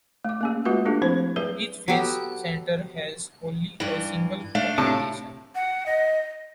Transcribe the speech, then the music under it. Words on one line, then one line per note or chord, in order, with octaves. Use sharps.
Each face center has only a single orientation.
A3 D6
A#3 C#4 G#4
G#3 A#3 F4 F#4 B4 F#5
A3 A#3 D4 F4 G4 A4
F3 A3 C4 E4 C5
F#3 G#4 B4 E5
F#3 B3 G4 A4
G2 E3
A3 D4 F5
A2 C3 A5
F#5
D#5